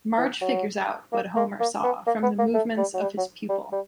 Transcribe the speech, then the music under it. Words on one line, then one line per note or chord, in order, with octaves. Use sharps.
Marge figures out what Homer saw from the movements of his pupil.
E3
F#3
A#3
A#3
A#3
B3
A#3
B3
A#3
A3
G3
F#3
G3
F#3
G3
G3